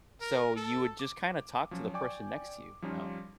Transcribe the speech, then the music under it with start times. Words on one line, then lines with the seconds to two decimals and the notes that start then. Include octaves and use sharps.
so you would just kinda talk to the person next to you, you know?
0.21 A#4
0.56 A4
0.99 D6
1.71 F3 F#3 C#4
1.94 D5 G5 G#5 C#6 D6
2.82 F3 G3 C#4 D#4 F4